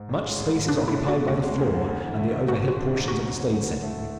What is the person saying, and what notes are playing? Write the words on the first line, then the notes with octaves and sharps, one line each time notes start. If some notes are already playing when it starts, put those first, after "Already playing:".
Much space is occupied by the floor and the overhead portions of the stage setting.
Already playing: G#2
A1
G#3
A1
G#2
B1 D4
A3 E4
D4
F#4
B2
D2 F#4
G#3
D2
D3
D2
E3
A3
C#3
G#1 F#4
G#3 F#4
D4
G#2
D2 F#4
F#3
C#4
D3
A2
A3
A2